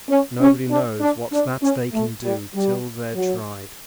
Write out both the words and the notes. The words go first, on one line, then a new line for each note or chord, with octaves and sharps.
"Nobody knows what that they can do till they're tried."
C#4
C#4
D4
D4
D4
C#4
A3
G3
G3
F#3